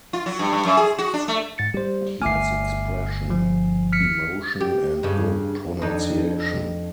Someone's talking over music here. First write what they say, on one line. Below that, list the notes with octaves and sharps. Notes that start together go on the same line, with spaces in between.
He has expression, emotion and good pronunciation.
F4
F#3
G2
G2
F#2
G#4
F#4
D4
A3
G#2 A6 C#7
G3 G4 C5
G1 A3 E5 G#5 D6 F6 C7
F3
F6 B6 C#7
G4
G2 C#3
F2 D4 D#4